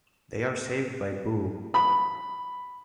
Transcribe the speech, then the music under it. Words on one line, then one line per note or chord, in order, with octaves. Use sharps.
They are saved by Boo.
B5